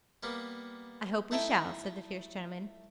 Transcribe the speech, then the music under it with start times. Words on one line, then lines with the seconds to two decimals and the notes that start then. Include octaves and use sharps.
'I hope we shall,' said the fierce gentleman.
0.23 G3 A#3 B3
1.31 A3 D#4 E4 A4 E5 G5